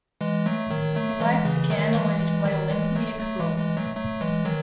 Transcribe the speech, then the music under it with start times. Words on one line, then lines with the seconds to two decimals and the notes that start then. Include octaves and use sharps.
He lights the cannon and it violently explodes.
0.21 E3 G#3
0.46 F#3 A3
0.70 D#3 F#3
0.96 F#3 A3
1.20 E3 G#3
1.45 C#3 E3
1.70 D#3 F#3
1.88 A3
1.95 E3 G#3
2.20 E3 G#3
2.45 D#3 F#3
2.71 E3 G#3
2.95 F#3 A3
3.20 F#3 A3
3.39 E3 G#3
3.57 E3 G#3
3.77 F#3 A3
3.95 F#3 A3
4.21 E3 G#3
4.45 D#3 F#3